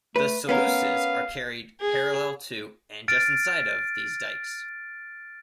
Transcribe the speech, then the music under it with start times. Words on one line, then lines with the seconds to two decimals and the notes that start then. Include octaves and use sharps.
The sluices are carried parallel to, and just inside of, these dykes.
0.16 A3 B4
0.49 B3 C#4 A#4 F5
1.81 G#4
3.08 F6 A6 D7